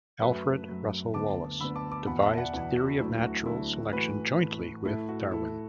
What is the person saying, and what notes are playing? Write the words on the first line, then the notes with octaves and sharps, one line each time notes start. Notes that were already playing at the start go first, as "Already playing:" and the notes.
Alfred Russel Wallace: Devised theory of natural selection jointly with Darwin.
F#2 F#3 A3 B4 E5
F#2 F#3 A3
D2 D3 B3 A5 D6
D2 D3 B3 B5 E6
A5 D6
A5 D6
E2 B2 B3 F#5 B5
E5 A5
D5 F#5
E2 B2 B3 D5 F#5
F#4
D2 D3 F#3 A3 E4
F#4
D2 D3 F#3 A3 E4 A4
A2 E3 A3 F#4 B4
A2 E3 A3
A2 A3 E4 A4
F#4
A2 A3 E4 A4